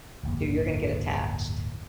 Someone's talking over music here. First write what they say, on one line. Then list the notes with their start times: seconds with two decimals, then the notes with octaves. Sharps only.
you you're gonna get attached.
0.23 D1 G1 F2 A#3